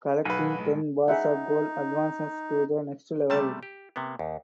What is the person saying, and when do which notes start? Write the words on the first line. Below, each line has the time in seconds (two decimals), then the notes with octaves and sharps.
Collecting ten bars of gold advances to the next level.
0.25 B1 B4 F5 F#5 G#5
0.59 A2 G#3
1.08 D#4 G#4 E5 F#5
3.30 C3 G3 A3 A5
3.63 G4
3.96 C3 A#3 B3
4.19 D#2